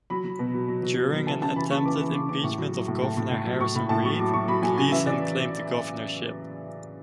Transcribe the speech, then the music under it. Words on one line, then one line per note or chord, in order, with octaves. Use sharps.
During an attempted impeachment of Governor Harrison Reed, Gleason claimed the Governorship.
F#3 B5
F#3
B2
F#3
F#3
F#3
F#3
F#3
E3 A5
C#3 A5
E3 B5
C#3 C#6
E3 D6
E3
C#3 D6
C#3 D6
A2 C#6
F#3
F#3
A2
A2
A2
A2
F#3
A2 C#6
A2 B5
A2 A5
F#3 C#6
F#3 D6
F#3 C#6
F#3 B5
F#3 G#5
C#3 G#5
E3 E5
E3 D5